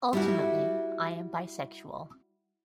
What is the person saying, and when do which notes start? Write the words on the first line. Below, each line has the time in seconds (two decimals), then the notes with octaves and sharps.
Ultimately, I'm bisexual.
0.13 G3 E4 F#4